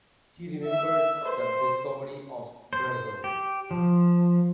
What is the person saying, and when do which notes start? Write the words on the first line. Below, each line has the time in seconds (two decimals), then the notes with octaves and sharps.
He remembered the discovery of Brazil.
0.66 E5
1.25 C5
2.73 C5
3.24 G4
3.71 F3